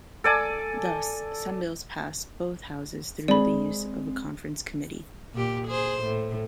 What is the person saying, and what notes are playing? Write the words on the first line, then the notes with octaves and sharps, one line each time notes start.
Thus, some bills pass both Houses through the use of a conference committee.
A4 D5 G#5 A5
G#3 C4 D5 B5
A#2 G4
G#4 C5
A2